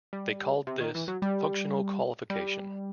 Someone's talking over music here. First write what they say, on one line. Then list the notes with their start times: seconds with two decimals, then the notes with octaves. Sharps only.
They called this functional qualification.
0.13 G3
0.67 C3
0.80 D#3
0.95 E3
1.08 F#3
1.22 G3
2.30 G3